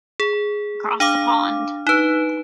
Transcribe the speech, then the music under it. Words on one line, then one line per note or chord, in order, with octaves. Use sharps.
Across the pond.
G#4
D4 F5 D6
D#4 B4